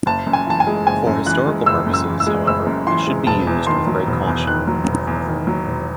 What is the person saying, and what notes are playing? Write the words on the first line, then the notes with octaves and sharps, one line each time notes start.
For historical purposes, however, it should be used with great caution.
F#1 A5
F#2
G#5
E3 A5
G#5
G#3
F#1 G#5
F#2
E3 F#6
G#3
F#1 E6
F#2
E6
E3
E6
G#3
F#1 E6
F#2
E3 C6
G#3
E1 A5
E2
D#3 C6
F#3
E1
E2
D#3 F#6
F#3
E1
E2
D#3
F#3
E1